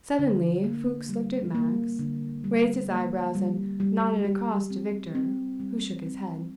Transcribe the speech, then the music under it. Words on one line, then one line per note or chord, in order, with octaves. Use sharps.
Suddenly Fuchs looked at Max, raised his eyebrows and nodded across to Victor, who shook his head.
D3
A#3
G3
A#3
D3
G3
A#3
G3
G3
G4
C4
C4
G3
C4